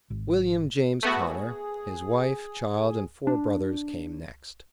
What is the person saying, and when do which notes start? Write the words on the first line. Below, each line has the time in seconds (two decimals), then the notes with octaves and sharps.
William James Conner, his wife, child, and four brothers came next.
0.10 G#1
1.03 A3 B3 F#4 G#4
3.27 D4